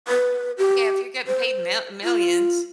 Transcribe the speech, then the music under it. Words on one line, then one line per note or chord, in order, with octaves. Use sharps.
Yeah, if you're getting paid m millions,
B4
G4
C5
F4